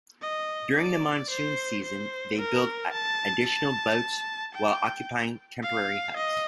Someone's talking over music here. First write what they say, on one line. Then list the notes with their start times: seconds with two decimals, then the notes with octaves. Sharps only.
During the monsoon season, they build additional boats while occupying temporary huts.
0.22 D#5
0.77 D5
1.30 C5
1.84 C5
2.39 A#4
2.93 A5
3.46 A5
4.55 G5
5.63 F5
6.17 D#5